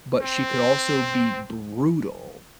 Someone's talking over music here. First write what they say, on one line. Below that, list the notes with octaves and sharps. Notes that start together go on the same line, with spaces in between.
but she could also be brutal,
C4